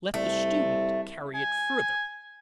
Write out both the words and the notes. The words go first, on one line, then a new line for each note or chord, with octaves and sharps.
Let the student carry it further.
C2 A3
G#5